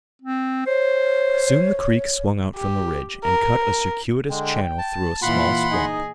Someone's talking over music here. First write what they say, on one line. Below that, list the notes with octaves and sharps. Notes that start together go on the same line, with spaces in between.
Soon the creek swung out from the ridge and cut a circuitous channel through a small swamp.
C4
C5 C#5
G4
A#4
D3 G#3 G5
A5
A#2 E3 F4 F#5 B5 C6
D#4 G#4 D#5